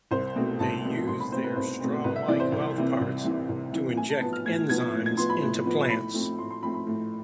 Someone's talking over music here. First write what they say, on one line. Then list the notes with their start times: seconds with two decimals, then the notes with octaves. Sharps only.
They use their straw-like mouthparts to inject enzymes into plants.
0.11 C2 C5
0.36 B2 A3 C4
0.59 C2 A5
0.84 B2 A3 C4
1.07 C2 C6
1.20 B5
1.32 B2 A3 C4 C5
1.44 B4
1.56 C2 C5
1.80 B2 A3 C4
2.04 C2 B4
2.16 E5
2.28 C3 E3 D5
2.40 C5
2.52 C2
2.77 C3 E3
3.00 C2
3.25 C3 E3
3.49 C2
3.73 C3 E3
3.97 A2 G#5
4.09 A5
4.21 B3 A5
4.25 F3
4.33 F6
4.45 A2 G#6
4.69 F3 B3 G#6
4.94 A2
5.06 G#6
5.17 F3 B3 C6
5.30 B5
5.42 A2
5.66 F3 B3
5.90 A2 B5
6.14 F3 A3 C4
6.38 A2 C6
6.50 C6
6.62 F3 A3 C4 B5
6.74 B5
6.87 A2